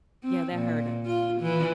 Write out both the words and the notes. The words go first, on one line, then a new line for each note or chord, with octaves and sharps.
Yeah, that hurt us.
C4
A#2
F4
E3